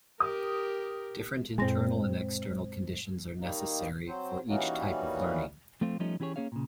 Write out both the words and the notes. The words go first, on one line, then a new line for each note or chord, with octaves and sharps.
Different internal and external conditions are necessary for each type of learning.
G4 A#4 D#6
F#2 A#2 G#3 C4 A#6
D#3 G3 A#3 D#4
F#3 C4 C5
E3 G3 A#3 C#4 D#4 F#4
F3 A3 C4 F4
F3 G3 A3 C#4 D#4
E3 C#4 G4 G#4 C#5
A#3 C#4 G#4 C#5 F5
A#2 C#3